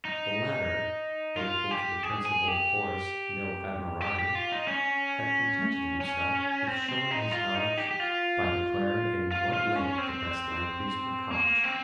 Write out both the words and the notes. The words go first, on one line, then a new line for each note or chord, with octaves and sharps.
The latter, faithful to the principle of Horace, nil admirari, had contented himself with showing his knowledge by declaring in what lake the best lampreys were caught.
D#4
F4
G4
G#4
G#4
G4
G4
G4
F4
D#4
C#4
C#4
C4
C4
D#4
F4
D#4
G4
G4
F4
F4
F4
C#4
C4
A#3
C4